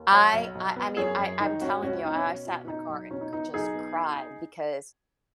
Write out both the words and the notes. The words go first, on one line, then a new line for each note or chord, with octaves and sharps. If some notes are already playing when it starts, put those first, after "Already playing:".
I I I mean, I I'm telling you, I I sat in the car and cr just cried because
Already playing: D#2
B1 C#5 F#5
B1
B1
B3
F#2 G#4 C#5
F#2
D#3 D#4
G#1 C#4 F#4
C#2 C#4 F#4
B3 D#4
C#4
B2
B2
B2 D#4
B1
B2 C#4
D#4
B3 D#4
B1 D#4 G#4
B3